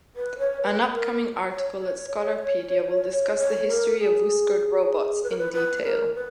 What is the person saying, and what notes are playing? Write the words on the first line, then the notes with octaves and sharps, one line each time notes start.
An upcoming article at Scholarpedia will discuss the history of whiskered Robots in detail.
B4
C#5
B4
A#4
C#5
C#5
A#4
G#4
B4
A#4
B4
B4
A#4
B4